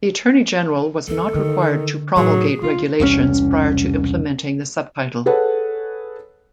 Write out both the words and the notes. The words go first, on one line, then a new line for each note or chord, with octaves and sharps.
The Attorney General was not required to promulgate regulations prior to implementing the subtitle.
D2 A4
D3 D#3
A2 F#3 D#4 G#4
D2 F4
E1 C2 C3 C#4
G#4 A4 B4 C#5 F#5